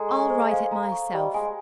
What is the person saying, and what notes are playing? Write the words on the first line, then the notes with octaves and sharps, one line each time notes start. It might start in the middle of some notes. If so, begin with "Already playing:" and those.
"I'll write it myself."
Already playing: G#3 A4 A#5
C#6
C5
F5
A#5
C#6
G3 D#5
G#3 G#5